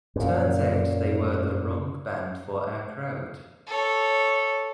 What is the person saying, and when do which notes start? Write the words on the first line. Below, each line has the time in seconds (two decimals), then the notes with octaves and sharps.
Turns out they were the wrong band for our crowd.
0.16 F#2 A#2
3.67 A4 C#5